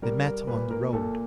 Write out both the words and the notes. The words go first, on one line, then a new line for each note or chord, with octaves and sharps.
They met on the road.
G3 A#4
A#4
A#2 B4
A#4
A#2 A4